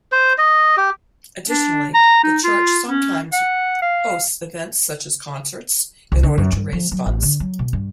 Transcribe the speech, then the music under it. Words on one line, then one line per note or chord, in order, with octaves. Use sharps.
Additionally, the Church sometimes hosts events such as concerts in order to raise funds.
C5
D#5
G4
D4
A#5
D#4
F4
C#4
F#5
F5
C2
D3
F#2
G2
F3
F#3
A1
D3
F#3
B2
G2